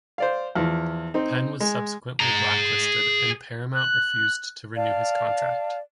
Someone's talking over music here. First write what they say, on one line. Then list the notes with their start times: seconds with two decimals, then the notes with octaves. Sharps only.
Penn was subsequently blacklisted, and Paramount refused to renew his contract.
0.18 C5 D5 F5
0.55 E2 F3
1.14 C4 D#4
1.60 G#3
2.20 G#4 A#5
3.74 F#6
4.76 D5 F5 A5